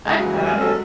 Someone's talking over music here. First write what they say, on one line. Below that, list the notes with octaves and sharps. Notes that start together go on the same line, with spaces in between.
I got it.
C#3 G#3
E3 F#3
G3
G#3 C#4
F#3 A4